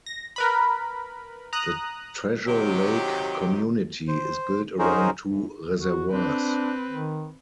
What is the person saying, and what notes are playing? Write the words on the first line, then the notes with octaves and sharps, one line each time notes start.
The Treasure Lake community is built around two reservoirs.
A#6
A#4 B4 B5
A#5 D#6 F#6
C3 D#3 F#3 G4
C5
C#4 D#4 F#4 G#4 A#4 C5
F#2
F#4
C4 D4 B4
D#3